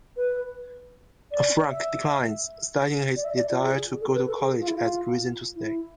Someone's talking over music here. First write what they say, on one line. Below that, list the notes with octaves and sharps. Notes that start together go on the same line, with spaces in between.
Frank declines, citing his desire to go to college as reason to stay.
B4
D5
E5
D5
E5
D5
F4
G#4
A4
B4
A4
G#4
F4
E4
F4
E4